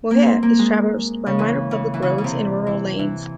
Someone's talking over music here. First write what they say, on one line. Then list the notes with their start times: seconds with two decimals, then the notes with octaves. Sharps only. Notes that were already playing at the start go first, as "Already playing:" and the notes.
Moher is traversed by minor public roads and rural lanes.
0.11 A#3
0.26 C4
0.43 A#3
0.59 G#3
1.26 C#3
1.39 E3
1.71 C#3
1.94 E3
2.02 C#3
2.18 C#3
2.24 C3
2.67 E3
2.99 E3